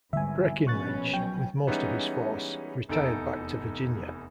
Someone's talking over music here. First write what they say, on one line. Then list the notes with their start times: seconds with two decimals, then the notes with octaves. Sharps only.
Breckinridge, with most of his force, retired back to Virginia.
0.13 G#1 E2 D3 G3 E5 G#5
0.67 A#1 B2 C#4 C#6 F#6 A6
1.13 F#3 G5
1.67 E3 G3 G#3 B3 C#4 D#4
2.89 F1 E2 D#4 A4 D7